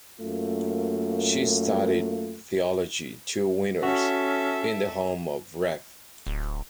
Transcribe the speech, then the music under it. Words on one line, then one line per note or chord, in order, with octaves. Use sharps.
She studied theology two winters in the home of Rev.
F#2 A3 A#3 F4
C#4 F#4 A4 E5
D1